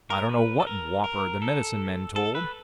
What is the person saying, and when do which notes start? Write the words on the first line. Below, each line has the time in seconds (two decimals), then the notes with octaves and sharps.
I don't know what whopper the medicine men told.
0.10 A#4
0.29 B4
0.60 A4
0.67 A#4
1.04 A#4
1.42 A4
2.16 A4
2.35 B4